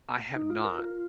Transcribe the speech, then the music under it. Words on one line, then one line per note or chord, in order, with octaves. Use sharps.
I have not.
D#4
F4
A#4
F4